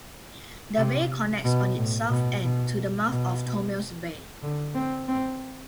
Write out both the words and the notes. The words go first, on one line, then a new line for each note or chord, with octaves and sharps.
The bay connects on its south end to the mouth of Tomales Bay.
C3
B2
A2
B2
B2
B2
D3
C4
C4